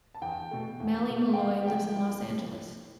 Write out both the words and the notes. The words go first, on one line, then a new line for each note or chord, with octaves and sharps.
Maile Meloy lives in Los Angeles.
A5
E2 G5
B2 A3
E2
B2 A3
G5
C2 F5
C3 F3 G5
C2
C3 F3